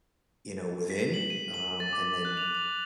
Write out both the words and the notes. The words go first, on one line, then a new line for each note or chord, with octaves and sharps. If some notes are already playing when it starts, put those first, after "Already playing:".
you know, within, um, and then
B6
F#7
D#7
F#7
A6
D6
F#6
F7
F7